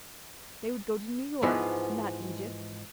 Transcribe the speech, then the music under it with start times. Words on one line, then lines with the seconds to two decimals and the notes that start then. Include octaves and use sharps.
They would go to New York, not Egypt.
1.43 G#2 E3 F3 B3